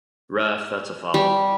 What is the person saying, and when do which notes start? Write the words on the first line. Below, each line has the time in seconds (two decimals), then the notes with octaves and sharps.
Ref, that's a foul.
1.14 G3